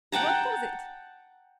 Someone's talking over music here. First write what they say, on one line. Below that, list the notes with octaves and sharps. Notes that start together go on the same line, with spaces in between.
"What was it?"
F#5 G5 A5 A#5